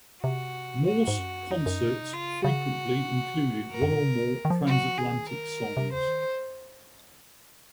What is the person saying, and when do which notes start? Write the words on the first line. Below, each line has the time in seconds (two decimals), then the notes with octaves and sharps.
Morse' concerts frequently included one or more Transatlantic songs.
0.23 C3 F#4
0.87 A#2 F#4
1.08 G#2
1.19 F#2
1.50 F2 D#4
1.66 F#2
1.81 G#2
1.86 C3
1.92 A#2
2.03 C3
2.13 C#3 F4
2.44 C#3 F#4
2.97 A#2
3.08 C3
3.40 A#2
3.50 C3
3.55 A#2
3.71 F#2 A#4
3.82 F#2
3.92 A#2
4.03 C#3
4.45 D#3
4.50 F3
4.66 F#3 F#4
4.82 F3
4.97 D#3 G#4
5.29 A#4
5.77 C3
5.92 C#3 C5
6.08 D#3